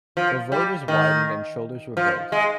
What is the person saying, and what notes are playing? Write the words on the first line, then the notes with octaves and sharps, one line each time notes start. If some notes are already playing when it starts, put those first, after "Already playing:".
The road was widened and shoulders were built.
F3
G3
D#3
F3
G#3